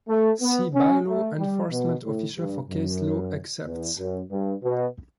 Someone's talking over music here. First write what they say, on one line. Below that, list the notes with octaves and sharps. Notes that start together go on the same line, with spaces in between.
See Bylaw Enforcement Officer for case-law excerpts.
A3
B3
C#4
A3
G3
B2
A2
G2
F#2
E2
F#2
G2
B2